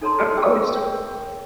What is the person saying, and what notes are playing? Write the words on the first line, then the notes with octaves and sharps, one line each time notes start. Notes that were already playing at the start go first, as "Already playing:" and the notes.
Uh, honest
D#4 A4 C#5 A5 A#5 C6
F#4 G#4 G5 D6 E6
A#4 C#5 G5